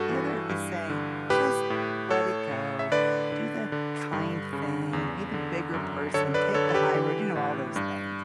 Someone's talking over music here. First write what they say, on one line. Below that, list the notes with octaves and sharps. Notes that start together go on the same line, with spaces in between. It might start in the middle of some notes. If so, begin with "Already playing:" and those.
The other is saying, "Just let it go. Do the kind thing. Be the bigger person, take the high road," you know, all those things.
Already playing: G2 F#4 A4
E3
G2
D3
A2 G4 B4
A2
A2 A4 C#5
A2
E5
D3 B4 D5
D3
D3
G2
C#3
E2
D3
F#2
D3 A4 C#5
B4 D5
D3 A4 C#5
A4
G4 B4
E3
A2
G2